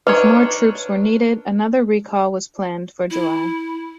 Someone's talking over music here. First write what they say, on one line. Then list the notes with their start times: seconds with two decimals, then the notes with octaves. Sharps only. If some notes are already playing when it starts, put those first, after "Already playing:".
If more troops were needed, another recall was planned for July.
0.07 D4 D#4 B4 C#5
3.11 E4